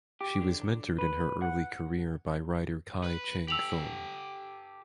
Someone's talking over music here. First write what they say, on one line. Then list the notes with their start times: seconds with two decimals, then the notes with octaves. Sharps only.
She was mentored in her early career by writer Kai Cheng Thom.
0.21 G4
0.41 D3
0.99 B4
1.42 F#5
3.04 B4
3.48 G4 A4 E6 F7 F#7